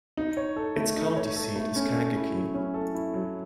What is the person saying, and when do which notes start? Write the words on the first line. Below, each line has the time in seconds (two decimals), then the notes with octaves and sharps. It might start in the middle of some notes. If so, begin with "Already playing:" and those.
Its county seat is Kankakee.
0.17 D#4
0.37 C#5
0.56 A4
0.76 A3
0.97 D#4
1.16 C#5
1.36 A4
1.56 A3
1.76 C#4
1.96 A4
2.16 E4
2.35 F#3
2.54 C#4
2.74 A4
2.95 E4
3.14 F#3